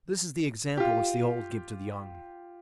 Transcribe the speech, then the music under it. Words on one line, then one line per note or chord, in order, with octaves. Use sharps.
This is the example which the old give to the young.
F4 G4